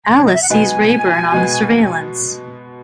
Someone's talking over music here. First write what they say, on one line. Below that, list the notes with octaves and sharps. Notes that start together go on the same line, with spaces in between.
Alice sees Rayburn on the surveillance.
C#5
D#5
E5
F#5
B2 G#3 B3 D#4 G#5
B2 G#3 B3